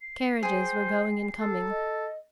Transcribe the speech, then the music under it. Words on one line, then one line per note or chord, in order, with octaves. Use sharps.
Carriages were going and coming.
C7
G#4 C5 G5
A4
D#5